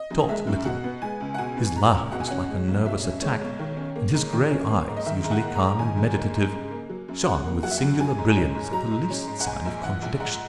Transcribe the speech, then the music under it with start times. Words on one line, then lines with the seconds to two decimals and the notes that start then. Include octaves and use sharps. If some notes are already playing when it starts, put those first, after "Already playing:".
He talked little; his laugh was like a nervous attack, and his gray eyes, usually calm and meditative, shone with singular brilliance at the least sign of contradiction.
Already playing: D#5
0.11 F#2
0.29 G#3 E5
0.47 F#2
0.65 B2 F#5
0.84 B3
1.02 G#3 G#5
1.20 C#2
1.34 F#5
1.38 B2 G#5
1.57 B3
1.76 G#3 A#5
1.94 C#2
2.12 B2 F#5
2.20 G#5
2.28 C#4 F#5
2.49 G#3
2.68 B1
2.86 B2 E5
3.03 C#4
3.22 G#3 C#5
3.41 B1
3.59 D#3
3.77 C#4
3.96 A#3
4.14 G#2
4.33 D#3
4.51 C#4
4.69 A#3
4.88 G#2
4.97 D#5
5.06 D#3 E5
5.24 G#2
5.31 F#5
5.43 A#3
5.55 A#5
5.62 G#2
5.79 D#3 G#5
5.97 G#2
6.16 A#3
6.35 G#2
6.53 C#3
6.71 A#3
6.89 F#3
7.08 F#2
7.26 C#3 F#5
7.44 A#3
7.63 F#3 F#5
7.71 E5
7.77 F#2 F#5
8.00 F#3 G#5
8.18 G#2
8.37 C#4
8.55 G#2
8.72 F#3 A#5
8.91 G#2
9.10 C#4
9.27 G#2
9.40 F#5
9.46 G#2 G#5
9.65 A#1
9.83 E3 F#5
10.02 A#1
10.20 G#2 F#5